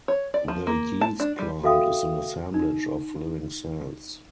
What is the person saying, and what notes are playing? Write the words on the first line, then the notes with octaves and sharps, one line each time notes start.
The yeast-plant is an assemblage of living cells.
C#5
D5
F3
A#3
A5
D4
G3
F#4 A4 E5 F5 G5 D#6
D#4